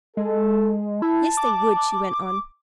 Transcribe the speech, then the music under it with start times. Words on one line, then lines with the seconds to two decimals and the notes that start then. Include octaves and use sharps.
"Yes, they would," she went on.
0.17 G#3 A4
1.02 E4 A5
1.37 D6